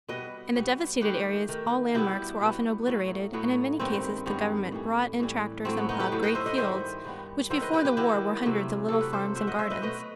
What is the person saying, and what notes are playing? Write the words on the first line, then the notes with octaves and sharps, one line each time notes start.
In the devastated areas all landmarks were often obliterated and in many cases the government brought in tractors and plowed great fields which before the war were hundreds of little farms and gardens.
B2 G3 B3 B4 D#5
B2 G3 B3
D#3 A3 G4 B4
D#3 A3
B2 G3 B3 E4 G4
B2 G3 B3
A2 F#3 A3
A2 F#3 A3 B3
G2 D#3 G3 B3 C4
G2 D#3 G3 B3
A2 E3 G3
A2 E3 G3
A2 F#3 A3 C4
B3
B3 D#4
G4 B4
A2 F#3 A3
B4 D#5
C5 E5
D#5 F#5
G2 D#3 G3 B3 C5 E5
G2 D#3 G3 B3
D#3 F#3 B3 C5 E5
B4 D#5
G4 B4
G4 B4
D#3 F#3 B3 E4 G4
C3 F#3 A3
C3 F#3 A3 A4
B4
A4 C5
B2 A3 C5 E5
D#5 F#5
C5 E5
B4 D#5
B2 A3 B4 D#5